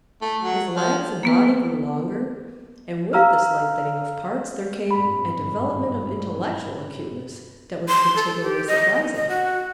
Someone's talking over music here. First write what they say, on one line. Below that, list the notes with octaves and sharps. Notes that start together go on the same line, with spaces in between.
His legs and body grew longer; and, with this lengthening of parts, there came a development of intellectual acuteness that was particularly surprising.
A3
F#3
F3
A#3 B3 B4
F5 A#5 E6 F6
G#1 G2 A#2 B5
C6
A4
G4
D#5
D#5
F#4